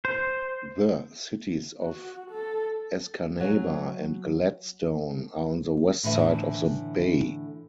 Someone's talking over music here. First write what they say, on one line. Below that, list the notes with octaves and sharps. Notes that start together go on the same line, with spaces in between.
The cities of Escanaba and Gladstone are on the west side of the bay.
C5
F#4
A4
F#3 G#5
A2 D3 E3 E5